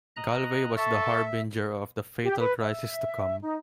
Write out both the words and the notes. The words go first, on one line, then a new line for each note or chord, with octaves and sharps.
Galway was the harbinger of the fatal crisis to come.
D#5 A#5 F#6
A4 E5 A5 C#6
G4
B4
E5
D#4